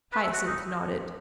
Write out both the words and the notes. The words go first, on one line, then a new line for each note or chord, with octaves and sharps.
Hyacinth nodded.
B4
E5
F#4
D#4